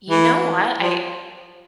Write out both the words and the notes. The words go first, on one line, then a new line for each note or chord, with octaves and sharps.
You know what? I
E3
F3